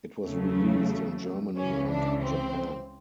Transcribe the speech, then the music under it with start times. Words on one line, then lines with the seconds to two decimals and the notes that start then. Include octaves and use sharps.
It was released in Germany and Japan.
0.23 E2 C#3 F#3 A3
1.56 C#2 C#3 E3 C#4
1.89 D4
2.22 C4